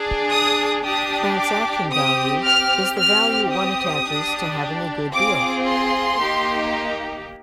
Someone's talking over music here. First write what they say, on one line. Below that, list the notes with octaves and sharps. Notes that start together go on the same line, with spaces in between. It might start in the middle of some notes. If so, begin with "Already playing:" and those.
"Transaction value" is the value one attaches to having a good deal.
Already playing: D4 G#4
D#6
D4 G4 D#6
D6
C4 G4 D#6
F6
C4 G4 F6
D#6
D4 G4
C4 F4 G#4 D6
C6
A#3 D#4 G4